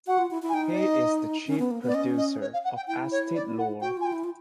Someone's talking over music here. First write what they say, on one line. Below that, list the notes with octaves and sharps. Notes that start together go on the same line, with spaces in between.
He is the chief producer of Eesti Laul.
F#4 F#5
F4
E4
E4
G#5
D#4 G5
D5
D#5
C#4
B3
A#3
B3
D5
C#4 D#5
D#5
C#5
F5
F#5
G5
E4 G5
C#5
D5
F#5
F#4 G5
F4 G#5
G5
E4
F4